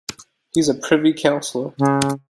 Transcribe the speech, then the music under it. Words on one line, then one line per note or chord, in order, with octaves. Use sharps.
He is a Privy Counsellor.
C#3